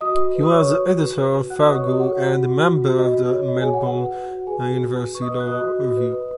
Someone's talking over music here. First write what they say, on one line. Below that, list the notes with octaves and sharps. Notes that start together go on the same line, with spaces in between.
He was Editor of Farrago and a Member of the Melbourne University Law Review.
F#4 D#5 D#6
F#4
B4
D#6
B4 C#5 C#6
F#4
F#4
B4
B4
F#4
F#4 F#5 F#6
B4 D#5 D#6
C#5 C#6
F#4 D#5
C#5 F#5
F#4
F#4
F#4
F#4
F#4
F#4 D#5
F#4
C#5
F#4 D#5
G#4 C#5 G#5
F#5
F#4
F#5
B4 F#5
F#4
F#4
G#4 B4 G#5
F#4
F#4
B4
B4 C#6
D#5 D#6
B4
F#6
F#4 D#5 D#6
F#4
F#4
B4
B4